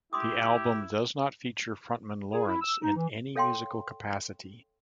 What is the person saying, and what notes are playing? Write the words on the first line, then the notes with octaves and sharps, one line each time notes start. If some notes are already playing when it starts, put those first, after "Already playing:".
The album does not feature frontman Lawrence in any musical capacity.
E4 G4 C6 D6 D#6
G#4
E4
E6
D#4
E3
A4 C#5 F5 G5 C6